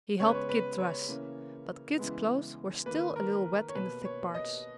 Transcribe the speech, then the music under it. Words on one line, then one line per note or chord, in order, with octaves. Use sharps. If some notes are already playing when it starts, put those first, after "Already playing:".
He helped Kit dress, but Kit's clothes were still a little wet in the thick parts.
C#3 G#3 B3 C#5
B4
C#5
B4
C#5
C#3 E3 A#3
C#3 E3 G#3 B3
D#3 A#3 B4
A#4
A#4
C#5
B2 A#3 B4
C#5
D#5